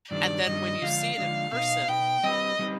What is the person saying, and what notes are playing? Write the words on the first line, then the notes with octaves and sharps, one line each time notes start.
And then when you see it in person,
G2 D#3 G3 D4 D5
G2 D#3 G3 D4 D#5
D3 F3 G#3 D4 F5
D3 F3 G#3 D4
B2 B3 D#4 F5
B2 B3 D#4 G5
G3 C4 D#4 G4 B4 D#5
G3 C4 D#4 G4 B4